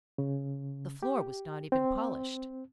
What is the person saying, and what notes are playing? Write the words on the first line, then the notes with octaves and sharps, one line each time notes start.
The floor was not even polished.
C#3
G4
C4